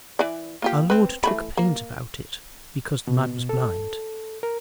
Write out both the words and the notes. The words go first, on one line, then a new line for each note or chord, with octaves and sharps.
Our Lord took pains about it because the man was blind.
E3 D5
A#3 F4 G4
C4 B4
E3 A3 B5
A#3
B2
A4
A#4